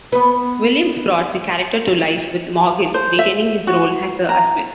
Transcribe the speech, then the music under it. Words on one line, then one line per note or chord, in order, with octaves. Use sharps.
Williams brought the character to life with Morgan retaining his role as her husband.
B3 B4
C5
E5
F#4
A#5